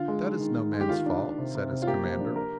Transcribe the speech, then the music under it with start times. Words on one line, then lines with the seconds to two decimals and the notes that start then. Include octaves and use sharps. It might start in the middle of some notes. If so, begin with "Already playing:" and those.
"That is no man's fault," said his commander.
Already playing: D3 F4
0.08 G#3
0.25 D#4
0.40 D#3
0.57 D#3
0.73 G#3
0.80 G4
0.89 D#3 F4
1.06 D4
1.22 D#3
1.38 C3
1.55 C3
1.71 C3
1.82 F4
1.87 A#3 G4
2.04 F3
2.20 D4
2.36 A#4